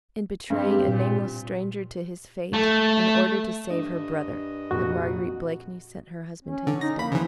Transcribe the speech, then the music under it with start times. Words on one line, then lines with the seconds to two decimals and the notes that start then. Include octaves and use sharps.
In betraying a nameless stranger to his fate in order to save her brother, had Marguerite Blakeney sent her husband to his death?
0.50 G2 C4 G4
0.88 A#2
2.53 A3
3.70 G2 D#5
4.71 F1 A#2 F#4
6.45 C#4
6.67 D3
6.81 D#4 A#6
6.99 A#3 B5
7.12 C#3 E3 F3